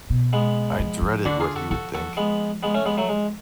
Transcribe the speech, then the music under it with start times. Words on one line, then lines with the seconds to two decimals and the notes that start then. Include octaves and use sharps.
I dreaded what he would think.
0.10 B2
0.33 G#3 B3
0.79 F3
1.02 F3
1.25 D3 D4 F#4
1.40 F4 G#4
1.56 F#4 A4
1.71 F3 F#4 A4
1.94 F#4 A4
2.17 G#3 B3
2.63 G#3 B3
2.74 A3 C#4
2.85 G#3 B3
2.97 F#3 A3
3.09 G#3